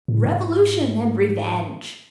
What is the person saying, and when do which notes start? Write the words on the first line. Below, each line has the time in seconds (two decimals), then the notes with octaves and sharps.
Revolution and Revenge!
0.08 A2
0.26 G#2